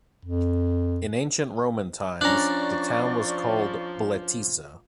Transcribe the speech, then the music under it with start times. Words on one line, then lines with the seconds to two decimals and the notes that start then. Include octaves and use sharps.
In ancient Roman times, the town was called "Bletisa".
0.25 F2
2.21 F3 C#4 D4 D5 A#5 C#6 F#6